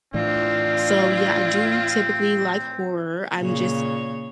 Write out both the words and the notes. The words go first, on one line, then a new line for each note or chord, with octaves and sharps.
so yeah, I do typically like horror, I'm just
A2 E3 C4 D4 F4
A#2 C#3 C#5